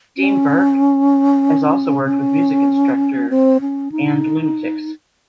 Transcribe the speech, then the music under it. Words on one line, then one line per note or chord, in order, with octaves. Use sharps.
Dean Burke has also worked with Music Instructor and Lunatics.
C#4
C#4
C4
C#4
D#4